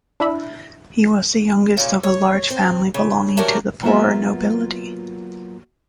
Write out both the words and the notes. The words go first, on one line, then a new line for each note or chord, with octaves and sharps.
He was the youngest of a large family belonging to the poorer nobility.
D4 E4 E5 B5
A#2 C#3
C#5
C4
C#3
F#3 A3 D4 G4 A#4
F#3 A#3 B3 F4 F#4 E5